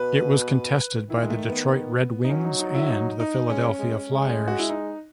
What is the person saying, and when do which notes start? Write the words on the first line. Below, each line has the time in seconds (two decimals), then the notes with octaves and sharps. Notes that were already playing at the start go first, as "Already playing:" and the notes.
It was contested by the Detroit Red Wings and the Philadelphia Flyers.
Already playing: B2 B4
1.09 D#3 E4
1.23 G#3
1.30 A3
1.49 B3
2.24 D#4
2.30 F#3 C#4
2.44 D#4
2.59 D#4
2.75 E4
2.90 D#4
3.20 D#4
3.49 G#3 C#4
3.79 G#3
4.09 G#3
4.48 F#4
4.59 E4
4.70 D#4